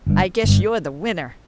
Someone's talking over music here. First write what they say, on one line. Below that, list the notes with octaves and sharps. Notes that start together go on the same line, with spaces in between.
I guess you're the winner!
G1 G2
G1
G2